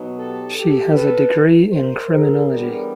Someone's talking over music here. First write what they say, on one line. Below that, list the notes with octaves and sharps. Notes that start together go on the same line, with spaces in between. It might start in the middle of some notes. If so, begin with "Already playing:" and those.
She has a degree in criminology.
Already playing: B2 F#3 B3 D#4
G4 A4
G4 A4
A4 B4
A#4 C5
G#4 A#4
A2 E3 G3 B3 D4 G#4 A#4